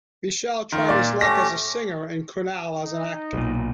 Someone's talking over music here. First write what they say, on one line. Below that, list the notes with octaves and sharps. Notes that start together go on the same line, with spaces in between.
Vishal tried his luck as a singer and Kunal as an actor.
D#3 F4
A#2 D5
A3 C#4 G4 A#6
D#4
B1 A#2